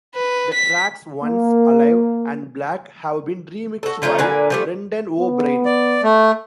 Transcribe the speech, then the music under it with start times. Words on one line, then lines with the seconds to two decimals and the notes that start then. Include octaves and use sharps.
The tracks "Once", "Alive," and "Black" have been remixed by Brendan O'Brien.
0.16 B4
0.55 B6
1.23 A#3
3.83 F#4 A4
4.02 D3 F3 A3 D#4
4.18 A#2 D3 B4 G#5
4.50 F3 G3 A3
5.20 B3
5.65 D5
6.03 A3